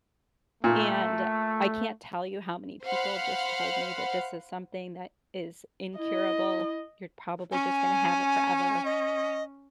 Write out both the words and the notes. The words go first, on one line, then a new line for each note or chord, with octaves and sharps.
And I can't tell you how many people just told me that this is something that is incurable. "You're probably just gonna have it forever.
A#2 A3
C5 F5 F#5 B5
E4 D#5
C#4 G#5
D#5